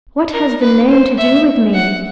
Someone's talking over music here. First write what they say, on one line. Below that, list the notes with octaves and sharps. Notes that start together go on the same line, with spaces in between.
What has the name to do with me?
A#4
B4
C5
E5
F#5